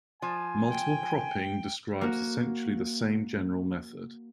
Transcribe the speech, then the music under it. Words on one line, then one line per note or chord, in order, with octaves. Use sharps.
Multiple cropping describes essentially the same general method.
F3 G#5
G5
A#3 F#4